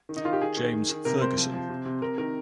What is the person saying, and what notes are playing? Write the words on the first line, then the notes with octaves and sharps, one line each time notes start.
James Fergusson.
D#3
D#4
D#3 F4
G4
D#3 G#4
D#3
D#3
D#3
C3 A#4
C3 C5
F3
F3
C3
C3
C3 A#4
D#3 A#4